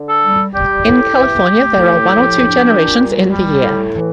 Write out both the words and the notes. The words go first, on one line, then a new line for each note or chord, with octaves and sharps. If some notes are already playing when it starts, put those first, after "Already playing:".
In California there are one or two generations in the year.
Already playing: D3
A4
G3
G3 G4
A2
E3
A3
A2
F3
D4
A#2
G3
G3
A2
E3